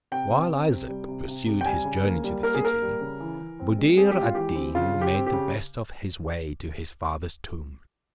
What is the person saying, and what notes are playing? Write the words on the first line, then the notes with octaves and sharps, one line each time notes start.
While Isaac pursued his journey to the city, Buddir ad Deen made the best of his way to his father's tomb.
C3 G5
C4
C4
C3
G3
C3
C3
C3
G5
G3 G#5
C#3
A#3
G3
A#3 A#4
G#4
A#3 A#4
G3
C#3
E3
E3
C4
G#3
C4 G#4
G4
G#3
F4
E3 G4
C4
C#3 F4
C#3
G4
C4
G4
C#3